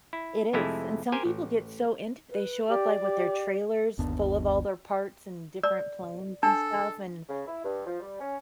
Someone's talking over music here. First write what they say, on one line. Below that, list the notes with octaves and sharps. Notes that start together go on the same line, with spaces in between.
It is. And some people get so into it. They show up, like, with their trailers full of all their parts and different planes and stuff, and
E4
F2 C3 G#3 A3 E4
G4 A#4 C5 G5 G#5
A1
B4
G4 D5
G4
G1 D#2 B3 D4
D5 E6
D4 A4 A5
C#3
E4
G2
F3
G3
C#4